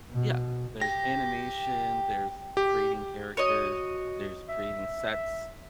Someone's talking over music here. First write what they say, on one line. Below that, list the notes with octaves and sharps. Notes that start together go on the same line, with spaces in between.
Yeah. There's animation, there's creating characters, there's creating sets,
B2
G4 A#6
G4
F#4 C#5 D#5
E5